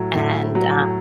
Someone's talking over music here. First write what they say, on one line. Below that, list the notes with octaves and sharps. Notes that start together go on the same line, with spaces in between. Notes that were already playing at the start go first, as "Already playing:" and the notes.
and, um
Already playing: A2 F#3
A2
F#3